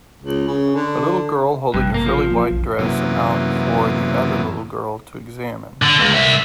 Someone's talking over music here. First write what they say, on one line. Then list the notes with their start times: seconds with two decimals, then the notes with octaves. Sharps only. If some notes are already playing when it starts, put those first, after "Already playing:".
A little girl holding a frilly white dress out for the other little girl to examine.
0.22 C#2
0.48 C#3
0.76 D3
1.74 A1 G2 C3
1.94 A#3
2.06 F3
2.30 A#3 C#4
2.51 A#1 F2
2.79 F#2 C3 E3 A#3 B3
5.82 D3
6.00 C#2
6.14 C2 E5